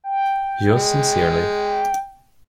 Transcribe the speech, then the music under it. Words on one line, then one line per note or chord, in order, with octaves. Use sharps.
Yours sincerely.
G5
G#3